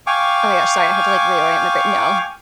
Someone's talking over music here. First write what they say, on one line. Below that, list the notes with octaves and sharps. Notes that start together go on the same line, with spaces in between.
Oh, my gosh, sorry. I had to, like, reorient my br No.
F5 G5 G#5 C#6 D6